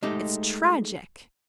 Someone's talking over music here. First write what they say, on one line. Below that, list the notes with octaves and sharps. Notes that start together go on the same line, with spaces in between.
It's tragic.
G#3 A3 D#4 G4